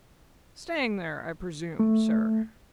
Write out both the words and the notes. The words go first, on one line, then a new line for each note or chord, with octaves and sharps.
'Staying there, I presume, sir?'
A3